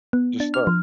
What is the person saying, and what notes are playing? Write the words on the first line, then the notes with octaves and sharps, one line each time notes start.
Just stop,
B3
D4
F6
F3